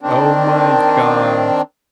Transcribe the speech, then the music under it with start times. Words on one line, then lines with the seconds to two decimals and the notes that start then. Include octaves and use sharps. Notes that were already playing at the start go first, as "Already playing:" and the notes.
Oh my gosh.
0.01 D#3 C4 D4